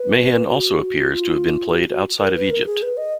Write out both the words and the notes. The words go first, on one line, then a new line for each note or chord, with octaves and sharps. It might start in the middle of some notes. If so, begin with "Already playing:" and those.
Mehen also appears to have been played outside of Egypt.
Already playing: B4
F#4
F4
F#4
F#4
A#4
B4
A#4
G#4
B4
D#5